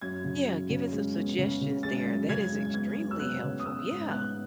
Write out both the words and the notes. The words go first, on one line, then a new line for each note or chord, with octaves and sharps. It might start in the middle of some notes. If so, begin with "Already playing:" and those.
Yeah, giving some suggestions there, that is extremely helpful. Yeah.
F#2 G#6
C#3
F#2
C#3
G#3
B3
C#3
C#3
G#3 A6
F#2
C#3 G#6
G#3
B3 G#6
F#2
E6
B3 F#6
C#3
D#6
B3 E6
G#2
B3 F#6